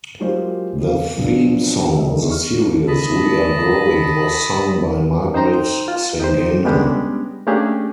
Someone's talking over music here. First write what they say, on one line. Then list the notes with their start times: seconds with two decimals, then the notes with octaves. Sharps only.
The theme song of the series, "We are growing", was sung by Margaret Singana.
0.20 F#3 G#3 A#3 F4 G4 C5
0.84 A#3 F5
1.16 F3 F#3 B3 C4 D4 F4
1.98 D#5 E5
2.29 C#6 F6
2.88 D#5 A5 B5
5.34 D#4 C5 G5 A#5 C6
5.88 F4
6.20 D#4 G4 C5
6.65 G3 G#3 B3 C#4 D4 G4
7.47 A3 A#3 C#4 D4 G4 G#4